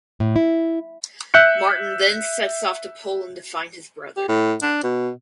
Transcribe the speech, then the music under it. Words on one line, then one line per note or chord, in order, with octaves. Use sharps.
Martin then sets off to Poland to find his brother.
A2
E4
E5 F#6 G6 C#7
G4
A2
D4
B2